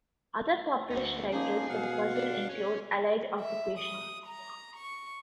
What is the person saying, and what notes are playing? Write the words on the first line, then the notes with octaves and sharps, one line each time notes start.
Other published titles for the puzzle include "Allied Occupation".
D2 D#4 F#4
F3 A#3 C#4 D#4 G#4
B2 F5 F#5
D4
C#4
E5
D#6
A#5
C#6